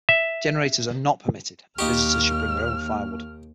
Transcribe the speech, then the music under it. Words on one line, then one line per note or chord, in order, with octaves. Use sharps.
Generators are not permitted and visitors should bring their own firewood.
E5
D#2 A#3 D#4 G4 C#6 F6